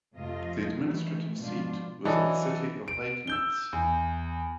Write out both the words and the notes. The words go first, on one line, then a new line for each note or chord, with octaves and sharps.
The administrative seat was in the city of Liegnitz.
F2 C3 A3 F4 A4 D#5
D#3 E3 A3
G#2 B2 F3 D4 F4
E3 F#3 D4 A4 D#5
D7
E6 G6 G7
E2